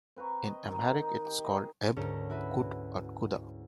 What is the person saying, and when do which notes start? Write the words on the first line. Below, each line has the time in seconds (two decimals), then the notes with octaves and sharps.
In amharic it is called Ehb, Qud or Quda.
0.16 C4 B4 A#5 C#6
0.47 D#5
0.67 D#3
1.01 D#4
1.25 G4
1.44 D#4 G#4 D#5
1.96 D2 G#2 C#4 A4 A#4 E7
2.30 E4 F#4 B4